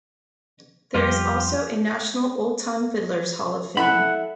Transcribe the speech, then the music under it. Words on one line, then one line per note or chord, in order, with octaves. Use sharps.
There is also a National Oldtime Fiddlers' Hall of Fame.
F2 G3 F4 G4
E4 A4 E5 F#5 B5